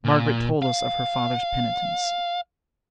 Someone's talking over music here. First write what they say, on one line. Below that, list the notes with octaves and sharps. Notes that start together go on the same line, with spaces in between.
Margaret told us of her father's penitence.
A#2
F5